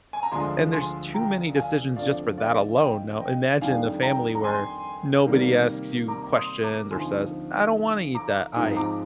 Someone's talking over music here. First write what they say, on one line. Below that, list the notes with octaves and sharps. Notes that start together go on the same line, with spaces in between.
and there's too many decisions just for that alone. Now imagine a family where nobody asks you questions or says, "I don't wanna eat that. I"
G#5
A#5
D2 D3 F3 G#3 D4 G#5 C6
G#5 C6
G5 A#5
F5 G#5
D2 D3 F3 C4 D5 F5
D5 F5
D#5 G5
D#5 G5
F2 D#3 G3 D4 F5 G#5
G5 A#5
A#5
G#5 C6
C3 D#3 G3 A#3
A#5 D6
C6 D#6
A#5 D6
D2 D3 F3 C4 D#4 G#5 C6
A#5 D6
G#2 F3 G#3 C4 D#4
A#5 D6